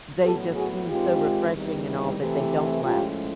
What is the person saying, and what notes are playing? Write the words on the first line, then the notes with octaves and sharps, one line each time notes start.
they just seem so refreshing and all, but they don't last.
A2 F#3 B3 G4 A4
F#4 G#4
G#2 D#3 G#3 C4 F4 G4
E2 C3 D#3 G3
C3 E3 A3
A2 F3 G#3 C#4 F4 G4